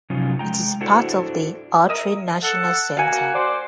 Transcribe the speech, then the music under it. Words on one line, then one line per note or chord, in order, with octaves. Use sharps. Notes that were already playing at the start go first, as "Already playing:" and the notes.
It is part of the Autry National Center.
C3 F3 F#3 C#4 D#4 F4
G#3 G5 A#5
D4 E4 F#4 A4 C5 F#5
A#4 D#5 E5
A4 F#5
A#3 F#4 F5 G#5
C5 D5